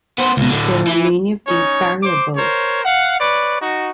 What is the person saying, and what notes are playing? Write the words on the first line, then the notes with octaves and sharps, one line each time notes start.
There are many of these variables.
B3 C5
C#2 B2
A2 D3
E3
C#4 D#4 C#5
C5 D6
A#4 C5 C#5
F5 F#5
B4 C#5 D5
D#4 F#4